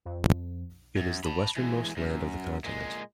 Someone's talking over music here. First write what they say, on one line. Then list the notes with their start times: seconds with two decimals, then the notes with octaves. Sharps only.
It is the westernmost land of the continent.
0.05 F2
0.97 F#2
1.24 A5 B5
1.57 E3 G#3
1.97 F#2
2.65 A#2 G#3